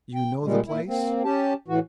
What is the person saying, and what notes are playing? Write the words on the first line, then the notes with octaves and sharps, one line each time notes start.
"You know the place?"
G5
A#2 G3 G#3
A#2 E4
A#3 C4
C#4 G4 A5
A2 E3 F#4